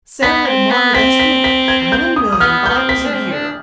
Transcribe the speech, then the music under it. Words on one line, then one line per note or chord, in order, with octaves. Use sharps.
Sale, at a moderate estimate, one million bottles a year.
B3 B6
C4
B3
C4 B6
B6
B6
G#6
G6
D#6
D#6
B3 F6
B3 G6
C4
B6
D4
C4
D4